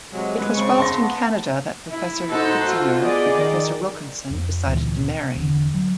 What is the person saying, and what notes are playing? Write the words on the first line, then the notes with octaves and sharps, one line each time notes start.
It was whilst in Canada that Professor Kitzinger and Professor Wilkinson decided to marry.
C3 F#3 G#3
G#3 B4
C#3 C4 C#6
A5 C6 A#6
B3
E4
D#4 F#4 A4 C5
F4
B3 G#4 D5 D#5
D#3
F2
D1 D2 A#2 E3
C3
E1 E2 B2 D3
F#3